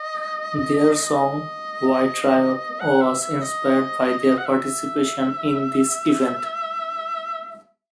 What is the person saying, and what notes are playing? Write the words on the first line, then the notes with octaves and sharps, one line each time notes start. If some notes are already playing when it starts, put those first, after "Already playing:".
Their song "White Riot" was inspired by their participation in this event.
Already playing: D#5
D#5
F#5
E5
E5
D#5
F#5
E5